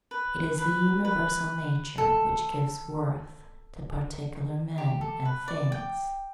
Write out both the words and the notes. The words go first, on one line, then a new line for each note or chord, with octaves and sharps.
It is the universal nature which gives worth to particular men and things.
B4
B4
B4
A4
G4
A4
B4
D5
G5